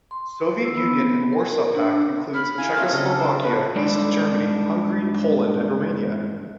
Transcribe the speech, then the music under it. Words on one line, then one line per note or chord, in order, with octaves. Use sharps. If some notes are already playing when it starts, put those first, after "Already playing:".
"Soviet Union and Warsaw Pact" includes Czechoslovakia, East Germany, Hungary, Poland, and Romania.
C6
E6
B3
A#4
D4
B5 F6
E4 A#4 E5 F5 G#5 B5
A3 C4 F4 G#4 C#5 A5
C#3 D4 A4 A#4 D#5
C5
A4 B4
G2 G#3 D4 D#4 A4 D5